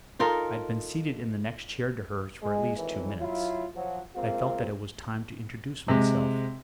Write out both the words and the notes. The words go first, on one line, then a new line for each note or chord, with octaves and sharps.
I had been seated in the next chair to hers for at least two minutes. I felt that it was time to introduce myself.
D#4 F4 A4 A#4
G#3
G#1 A2 E3
F#3 E4 F4
F3 F#3
G#3 A#3 C4 F4
C3 G#3